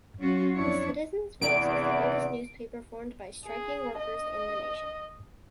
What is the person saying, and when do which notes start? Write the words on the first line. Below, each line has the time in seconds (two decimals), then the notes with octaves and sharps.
The "Citizens' Voice" is the oldest newspaper formed by striking workers in the nation.
0.20 F#3 C#4 F4 F#4
0.54 F2 D4 E4 C#5
1.41 E2 C3 G#4 D5 D7
3.45 G#4
3.99 D#5